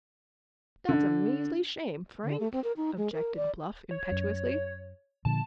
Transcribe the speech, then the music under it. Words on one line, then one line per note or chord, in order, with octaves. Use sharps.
"That's a measly shame, Frank!" objected Bluff impetuously.
D3
D3
A3
C4
A#4
D#4
G#3
A#4
D5
C#5
F#2
A#2 D3 F3 A5